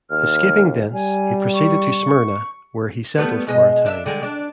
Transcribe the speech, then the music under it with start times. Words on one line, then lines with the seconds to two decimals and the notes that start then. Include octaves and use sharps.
Escaping thence, he proceeded to Smyrna, where he settled for a time.
0.11 D#2 F6
0.94 G3 G#5
1.54 C#6
3.18 G3 A3 B3
3.47 B2 G#3 D#5
3.86 D4 E5
4.06 D3 G3 G#3
4.23 D4